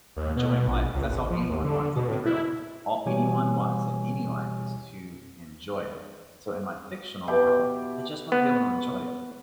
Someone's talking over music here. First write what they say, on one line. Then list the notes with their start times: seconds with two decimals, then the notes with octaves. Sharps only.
enjoying life, 'cause that's all anyone wants. Let's be real, all anyone wants in any life is to enjoy it, so in my fictional world, I just wanna be able to enjoy it.
0.16 D#2
0.36 B2
0.49 B2
0.68 A#1
0.94 C#2
1.09 G#1
1.30 F3
1.50 D#2
1.64 D3
1.96 B2
2.08 A2
2.26 E4
3.06 B2 E3 G3 G4 C#5 G#5
7.27 B2 E4 G4
8.32 B3